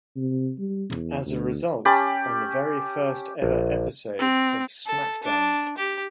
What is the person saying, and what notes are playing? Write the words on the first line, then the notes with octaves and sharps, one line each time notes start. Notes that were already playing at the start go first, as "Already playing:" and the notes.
As a result, on the very first ever episode of SmackDown!
C3
G3
E2
D2
C#4 G4 A5 B5
A#1
C4
A4
D4
G4